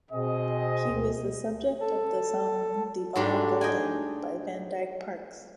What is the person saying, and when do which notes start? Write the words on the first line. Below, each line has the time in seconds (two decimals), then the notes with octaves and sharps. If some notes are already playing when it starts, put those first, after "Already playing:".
He was the subject of the song "The All Golden" by Van Dyke Parks.
0.12 B2 C4 G#4 D#5
0.90 D2
1.80 A4
3.16 G#2 F#3 G3 A3 D4
3.61 D#5 G5 G#5